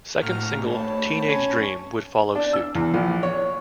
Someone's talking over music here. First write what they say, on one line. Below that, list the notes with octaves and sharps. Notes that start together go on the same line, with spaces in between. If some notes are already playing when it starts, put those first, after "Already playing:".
Second single "Teenage Dream" would follow suit.
D#2 A2 A3 F#4 A#5 F6
C#5 A5 B5
C#4
D4
E6
E2
A#1
C#5